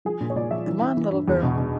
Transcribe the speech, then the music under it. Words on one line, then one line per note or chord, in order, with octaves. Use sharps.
Come on little girl!
F3 G#4
A#2
C#5
A#2 D5
F3 E5
E3
E3
E3
G2
E2
B2
B2